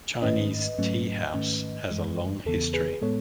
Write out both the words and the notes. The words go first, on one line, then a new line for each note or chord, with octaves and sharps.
Chinese tea house has a long history.
G#2 D#3 A3 C#4 B4 D#5
G#2 F#3 A3 C#4
G#2 D#3 A3 C#4
F#2 E3 G#3
E2 C#3 E3 B3 A4
G#4 B4
A2 G#3 B3 A4 C#5